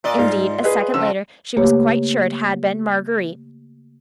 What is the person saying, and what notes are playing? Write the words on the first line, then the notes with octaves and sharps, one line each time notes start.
Indeed, a second later, she was quite sure it had been Marguerite.
A#2 D5 D#5
G#2 F4
G#4 B4 D#5
F2 C#3 E6
C#3 A3 A#3 G4 B4 C#5